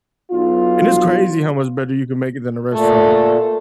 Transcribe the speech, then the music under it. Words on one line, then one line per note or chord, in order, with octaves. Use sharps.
and it's crazy how much better you can make it than a restaurant
B1 F4
A#2 A3